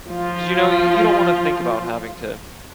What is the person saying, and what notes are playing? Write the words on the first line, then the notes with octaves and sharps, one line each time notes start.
'Cause, you know, you you don't wanna think about having to
F3 F4